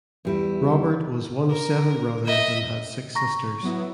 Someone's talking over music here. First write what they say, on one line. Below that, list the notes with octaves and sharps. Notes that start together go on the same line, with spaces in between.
Robert was one of seven brothers and had six sisters.
E2 G3 E4
A#4
D#5 E5
A#5 C#6 A#6
F#3 B3 E4